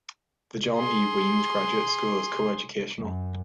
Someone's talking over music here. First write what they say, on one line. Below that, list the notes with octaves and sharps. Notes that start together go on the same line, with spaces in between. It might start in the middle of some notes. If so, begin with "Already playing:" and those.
The John E. Weems Graduate School is coeducational.
G#4 C6
F#2